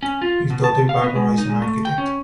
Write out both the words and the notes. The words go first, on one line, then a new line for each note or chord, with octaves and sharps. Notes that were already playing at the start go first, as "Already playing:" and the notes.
His daughter Barbara is an architect.
C#4
F4
B2
A5
F5
B3
G#3
D#4
G#3
A3
G5
C#4